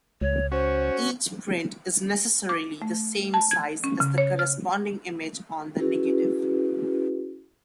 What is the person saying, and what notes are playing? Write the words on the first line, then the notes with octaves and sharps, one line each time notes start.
Each print is necessarily the same size as the corresponding image on the negative.
C#2 C#5
C#4 F#4 C5
D6
A3
A5
G#6
C#4
C#3
C#5
F6
C#4 E4 F#4 G#4 B4